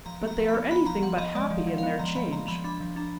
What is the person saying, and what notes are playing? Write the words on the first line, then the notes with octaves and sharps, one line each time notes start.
But they are anything but happy in their change.
F3 A#5
B3
A#5
F3
B5
B3
B3 B5
F3 A#5
F3 F#5
F3 D#5
G#3 D5
F3
F3
B3 F5
F3 A#5
F3 B5
F3 A#5
F3 B5
D4 B5
F3
D4 A#5